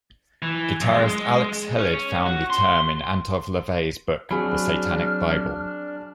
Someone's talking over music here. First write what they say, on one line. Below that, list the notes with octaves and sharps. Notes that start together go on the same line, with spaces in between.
Guitarist Alex Hellid found the term in Anton LaVey's book "The Satanic Bible".
E3
F#2
G#3
C#4
F#4
C6
F#3 C4 D4 F#4 G#4 B5 F6